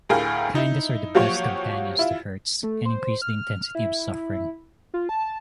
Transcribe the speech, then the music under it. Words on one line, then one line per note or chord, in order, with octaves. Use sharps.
Kindnesses are the best companions to hurts, and increase the intensity of suffering.
D2 A2 G#4 A#4 F5 G5
D#4 E4
F3 F#3 A#3 F#4 G4 C#5
E4 F4
A3
C5
F6
E4
F4
A5